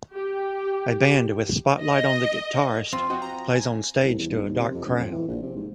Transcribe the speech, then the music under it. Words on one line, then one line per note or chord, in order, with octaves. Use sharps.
A band, with spotlight on the guitarist, plays on stage to a dark crowd.
G4
D#5
F2 C4 F4
C4 F#4 D#5
A#5
G#5
C2
E2
G1
D#2
C3
F2
C#2
F2
E3
A#1
C3
G#2